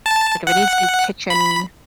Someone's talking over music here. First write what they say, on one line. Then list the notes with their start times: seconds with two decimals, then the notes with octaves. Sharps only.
Like, if it needs new kitchen
0.06 A5
0.47 F#5
1.30 B5